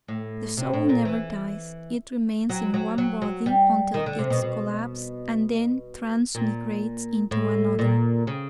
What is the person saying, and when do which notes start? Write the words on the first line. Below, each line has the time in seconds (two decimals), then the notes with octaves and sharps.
The soul never dies; it remains in one body until its collapse and then transmigrates into another.
0.08 A2
0.57 C3
0.73 A2
0.89 A#2
1.05 E3
2.49 F#3
2.74 F#3
2.98 F#3
3.22 F#3
3.46 G3
3.94 D#3
4.06 D3
4.19 C3
4.30 B2
4.42 B2
6.35 A#2
7.31 A2
7.79 A#2
8.27 C#3